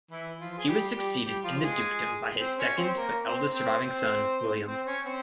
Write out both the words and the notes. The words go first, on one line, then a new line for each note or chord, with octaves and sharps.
He was succeeded in the dukedom by his second but eldest surviving son, William.
E3 E4
F3 F4
G#4
G3 G4
G3 G4
G3 G4
F3 F4
G#3 G#4
C4 C5
C#4 C#5
C4 C5
A#3 A#4
C4 C5
C4 C5
C4 C5
C4 C5
C#4 C#5
C4 C5